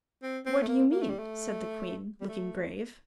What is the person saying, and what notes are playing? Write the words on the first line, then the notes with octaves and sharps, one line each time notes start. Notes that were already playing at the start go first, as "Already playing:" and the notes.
"What do you mean?" said the queen, looking grave.
C4
C4
A3
A#3
A#3
A3
G3
A3
G3
A3